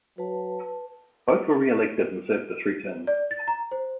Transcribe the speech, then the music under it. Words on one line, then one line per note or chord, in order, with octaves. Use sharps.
Both were re-elected and served for three terms.
F#3 B4 A5
D5
A6
A#5
C5